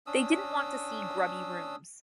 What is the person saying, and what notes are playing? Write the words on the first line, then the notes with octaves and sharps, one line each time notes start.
They didn't want to see grubby rooms.
C#4 D4 D#6 E6